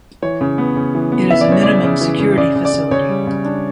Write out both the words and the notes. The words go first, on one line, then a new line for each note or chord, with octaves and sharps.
It is a minimum security facility.
E3 C#5
C#3
B3
C#3
E3
B3
E3 E5
D5
C#3 C#5
C#3 D5
C#3
E3
C#3
C#3 D5
C#3
D5
C#3
C#3 C#5
G3
C#3
D4